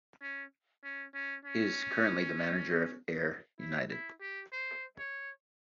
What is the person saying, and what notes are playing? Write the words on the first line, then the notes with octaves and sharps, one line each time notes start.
He is currently the manager of Ayr United.
C#4
C#4
C#4
C#4
E4
E4
G4
C5
C#5